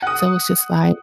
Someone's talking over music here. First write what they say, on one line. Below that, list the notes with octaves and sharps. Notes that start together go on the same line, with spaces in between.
So it's just like,
F#5 D#6